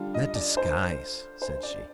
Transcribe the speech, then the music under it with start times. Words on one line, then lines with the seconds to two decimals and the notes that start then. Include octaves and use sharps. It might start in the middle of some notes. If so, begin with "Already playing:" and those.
"That disguise!" said she.
Already playing: D3 G3 D4 F4
0.14 D#5
0.35 D5
0.57 C5
1.42 C5
1.63 D5